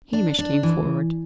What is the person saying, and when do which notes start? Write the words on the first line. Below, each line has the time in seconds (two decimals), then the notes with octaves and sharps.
Hamish came forward.
0.13 D4
0.39 D4
0.63 E3